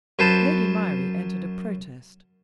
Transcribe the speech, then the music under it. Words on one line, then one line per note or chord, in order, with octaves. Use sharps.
Lady Myrie entered a protest.
F#2 B4 C5 A5